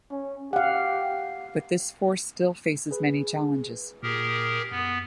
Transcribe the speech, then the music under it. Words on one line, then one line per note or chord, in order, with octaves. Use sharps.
But this force still faces many challenges.
C#4
G4 F5 F#5
G#4 B4
A#2 G4 G#4 A#4
F#2 B3